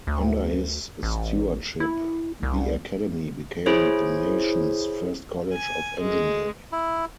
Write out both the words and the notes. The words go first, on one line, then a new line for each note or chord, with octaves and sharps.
Under his stewardship, the Academy became the nation's first college of engineering.
D2
A1
E4
C2
E4 G#4 C5 C#5
G#5
G#3
E4